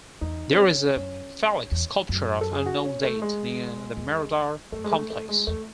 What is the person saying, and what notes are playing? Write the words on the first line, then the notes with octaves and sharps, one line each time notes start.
There is a phallic sculpture of unknown date near the Mirador Complex.
E2 D#4
C4
C#4
F#2 C#4
E2
F#2
A4
G#4
F#4
C#4
A3
G#3
E2
F#2 A3
G#3
A3
A3
G#3
E2 A3